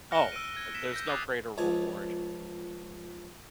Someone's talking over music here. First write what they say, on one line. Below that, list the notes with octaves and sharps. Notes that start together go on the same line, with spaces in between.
Oh, there's no greater reward.
F6 F#6 A#6 C#7 D7 G7
E6 D7 D#7
G#6
B6 E7
G6 A#6
D6 D#6 F#6 G#6 A6 C7
C#2 F3 G#5